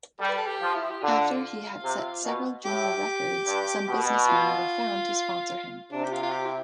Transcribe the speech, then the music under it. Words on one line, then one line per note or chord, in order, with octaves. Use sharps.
After he had set several junior records, some businessmen were found to sponsor him.
G3 A4
B4
A4
G4
F3
E4
G4
D3 F4
C3
B2
A2 G4
G2
B2
F4
C3 D4
G4
F4
F4
G4
E4